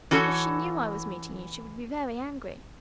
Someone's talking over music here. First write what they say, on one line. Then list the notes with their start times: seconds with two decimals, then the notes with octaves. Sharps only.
If she knew I was meeting you she would be very angry.
0.11 E3 C#4 F#4 A4